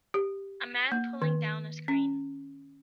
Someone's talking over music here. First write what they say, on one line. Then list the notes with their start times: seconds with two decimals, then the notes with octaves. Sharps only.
A man pulling down a screen.
0.14 G4
0.92 A#3
1.22 D#3
1.88 C#4